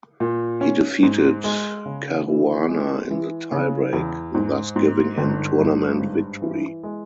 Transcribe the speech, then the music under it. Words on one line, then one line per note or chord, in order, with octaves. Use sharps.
He defeated Caruana in the tiebreak, thus giving him tournament victory.
A#2
C#4
G#2
G#3
C#3
E3
G#3
E3
C#3
E2
G#2
G#2
G1
G2
G#2
E3
G#3